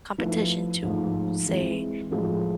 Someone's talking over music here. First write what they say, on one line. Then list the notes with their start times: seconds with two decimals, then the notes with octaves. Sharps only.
competition to say,
0.18 F3 A3 E4 B4
0.82 G#2 F3 A3
1.47 E3 G#3 C4
2.11 A2 F3 G#3